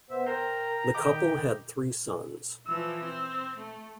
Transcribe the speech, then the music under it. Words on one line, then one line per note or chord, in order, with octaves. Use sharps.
The couple had three sons.
B3 C5 E5
A#4 C5 G5 A#5
D#3 G4 D#5 A#5 D6
E3 F3 E6
C4
A3